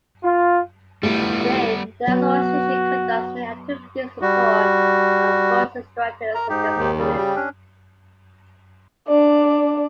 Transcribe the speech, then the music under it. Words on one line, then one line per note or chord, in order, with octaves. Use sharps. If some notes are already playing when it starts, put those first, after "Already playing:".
Today, the Association conducts many activities in support of forensics directors and their students.
F4
G3 A3 B3 E4 F4 G4
F#3 B3 F#4
G3 F#4
A#4 A#5
G#2 D#4 G4
D#2
C#3 G3
G4
C#4 D4
D4 D5